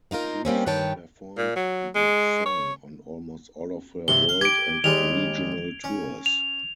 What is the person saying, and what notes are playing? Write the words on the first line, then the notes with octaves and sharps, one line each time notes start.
Houston performed the song on almost all of her world and regional tours.
A#3 D#4 F4 A#4
G3 A#3 C4 C#4
G2 D#3 B4 C#5 G5 A5
A#2
F#3
G#3
C#5
G2 C3 G7
F5
G4 G#6 D7
D#2 G3 G#3 F7
C#4
F7